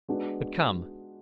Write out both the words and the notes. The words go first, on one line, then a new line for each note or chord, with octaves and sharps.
But come!
G#3 B3 D4 F#4